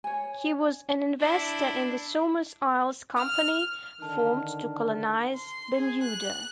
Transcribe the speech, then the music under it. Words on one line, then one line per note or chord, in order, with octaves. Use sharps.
He was an investor in the Somers Isles Company formed to colonise Bermuda.
C#5 G#5
D4 E4
F6
D3 D#3 A5 F6
C6
G#4
F#6